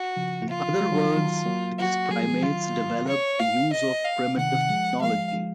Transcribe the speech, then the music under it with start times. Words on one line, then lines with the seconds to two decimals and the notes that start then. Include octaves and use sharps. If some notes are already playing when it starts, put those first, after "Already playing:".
In other words, these primates developed the use of primitive technology.
Already playing: F#4
0.17 C#3 F3
0.49 F4
0.81 G#3
0.92 F#3
1.05 F3
1.16 D#3 F#3
1.46 F#3 A#3
1.79 F#4
2.10 F#3 A#3 G#4
2.21 F3 G#3
2.32 F3 G#3
2.42 D#3 F#3 F4
3.07 C#5
3.39 F5
3.73 D#5
4.05 F5
4.37 C3 D#3 F#5
4.53 C3 D#3
4.70 F3 G#3
5.01 F3 G#3 F5
5.34 F3 G#3